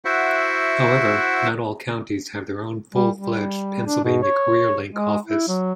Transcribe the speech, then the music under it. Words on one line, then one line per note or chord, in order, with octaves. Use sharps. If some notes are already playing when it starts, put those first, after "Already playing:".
However, not all counties have their own full-fledged Pennsylvania CareerLink office.
E4 F#4 C5 E5 F#5
G3
G3
D4
B2
C#5
G#3
E4
F#3